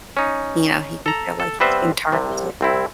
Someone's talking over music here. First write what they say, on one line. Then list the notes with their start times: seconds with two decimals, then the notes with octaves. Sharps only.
you know, he can feel, like, he's being targeted.
0.17 C#4 D#4
1.06 A4 A#5
1.40 A4
1.60 G3 B3 C4 B4 C5 E5
2.12 C2 C3
2.61 C2 C4 E4